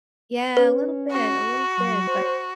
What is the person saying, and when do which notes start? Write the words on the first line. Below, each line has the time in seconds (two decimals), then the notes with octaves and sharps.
Yeah, a little bit, a little bit, but but
0.57 C#4 B4
1.12 F#4
1.77 F#3
2.07 C5